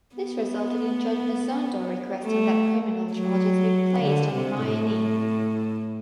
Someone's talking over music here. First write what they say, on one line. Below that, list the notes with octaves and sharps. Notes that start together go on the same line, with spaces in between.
This resulted in Judge Zondo requesting that criminal charges be placed on Myeni.
B3
A3
F#3
D3
C3
A2